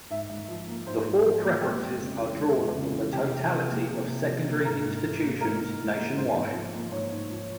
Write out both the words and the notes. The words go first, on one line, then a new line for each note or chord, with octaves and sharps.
The four preferences are drawn from the totality of secondary institutions nationwide.
G#2 E5
G#2
F3
A#3
G#2 C5
G#2
F3
A#3
G#3 G4
F2
C#3
E3
G#3
F2
C#3
E3
C3 G4
C3
F3
A#3
C3 G#4
C3
F3
A#3
G#2 A#4
G#2
E3
A#3
G#2 A#4
G#2
E3
A#3
G#2 C5
G#2
F3
A#3
G#2 C#5
G#2
F3